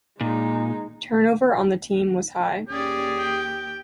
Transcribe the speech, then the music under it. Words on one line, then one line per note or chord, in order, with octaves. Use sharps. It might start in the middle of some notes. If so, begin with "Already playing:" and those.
Turnover on the team was high.
A#2 G#3 D#4
D#2 C#4 G4 G#4 D5
G5